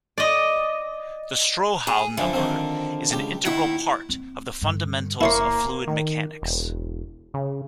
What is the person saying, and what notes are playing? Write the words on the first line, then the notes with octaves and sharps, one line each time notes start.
The Strouhal number is an integral part of the fundamentals of fluid mechanics.
D5 D#5
G#4
D3 E3 F3
D#3 F3 C4
C#2 G4
D#2 D#3 E4 F#5
C4
G2 D3
F#1 A#3 E4 C#5 C6
D#3
E1
C#3